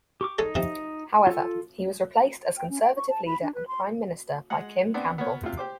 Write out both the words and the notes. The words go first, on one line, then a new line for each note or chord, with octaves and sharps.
However, he was replaced as Conservative leader and prime minister by Kim Campbell.
G4 C#6 D6
G#3 D#4 A4 C#5
C3 F3
F4 A4
G5
C#4
G5
C#6
A5
B5
D4
B4
C6
G#3 F#5
B3 C4 D4
B3 A#4 C#5
C3 F4
G4 C5 D6